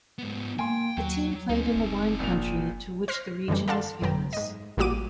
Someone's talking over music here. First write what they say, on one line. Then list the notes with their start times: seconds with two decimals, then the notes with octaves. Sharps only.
The team played in the wine country to which the region is famous.
0.18 G#2 B3
0.59 A#3 G5 G#5 C6
0.97 D#2 F#3 G5
1.49 D2 C4 D#4
1.76 F#1
2.19 A#1 A#2 F7
3.08 C5 F6 A#6 C7
3.48 F#2 D3 E3 G3
3.68 A4 D5 F5 F#5 A5 C6
4.02 A1 F#2 B2 F#3 G5 A#5
4.33 G#2 D#5
4.77 A1 A#2 G3 F#4 D6 D#7